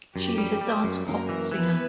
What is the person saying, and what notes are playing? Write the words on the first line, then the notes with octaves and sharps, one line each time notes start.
She is a dance-pop singer.
F#2 G4
G3
G3
F#2
F#2 A#3 A#4
E3
E3 B3 B4